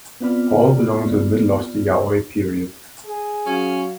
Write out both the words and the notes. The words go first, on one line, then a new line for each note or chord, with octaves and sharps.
All belong to the middle of the Yayoi period.
B3 C4 F4 D5 B5 F6
G#4
F#3 C#4 F5